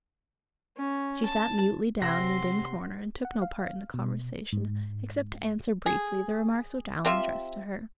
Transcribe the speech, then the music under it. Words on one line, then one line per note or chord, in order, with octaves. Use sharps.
She sat mutely down in a dim corner and took no part in the conversation except to answer briefly the remarks which Alan addressed to her.
C#4
A5
C3 F#5 G5 C6 E6 A#6
F#5
F5
B2
G#2
G#4
C3 C4 F4 E5